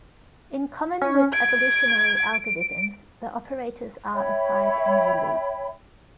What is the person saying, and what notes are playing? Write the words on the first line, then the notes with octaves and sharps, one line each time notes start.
In common with evolutionary algorithms, the operators are applied in a loop.
C#4
G#6 D7
C#5 E5 G5 B5